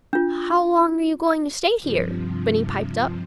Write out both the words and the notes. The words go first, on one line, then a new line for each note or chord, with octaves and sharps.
"How long you going to stay here?" Benny piped up.
D4 F4
G2 C3 F3